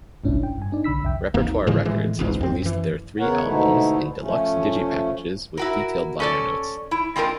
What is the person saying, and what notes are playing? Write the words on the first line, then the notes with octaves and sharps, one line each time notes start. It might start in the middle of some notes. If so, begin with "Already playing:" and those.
Repertoire Records has released their three albums in deluxe digi-packages with detailed liner notes.
G1 C2 G#2 C#4 D4 E4
G5
G2 G#5
D4 D#4 D5
B1 D3 B5 E6 B6
C2 F2 E5 G5
G#1 D#2 A#3
A2 D3 F3 G#3
A2 E3 G#3
G#1 C#2 G#2
F2 C4
F#2 E3
E2 C#3 B3 A#4 C#5 F#5
G#2 B2 D3 A3 D#4 E4
F3 A3 C#4
E4 F#4 A#4
C#4 A4 D5
E4
G#3 C4 D4 F4 A#4